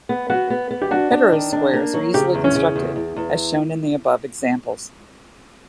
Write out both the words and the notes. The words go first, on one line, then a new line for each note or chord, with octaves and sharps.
Heterosquares are easily constructed, as shown in the above examples.
B3
B3 F#4
B3
B3
G4
D4 F#4
D4
D#3
D4
A#3
F#3
C#3 G4
E2
C#4
C#3
E2
E2
E2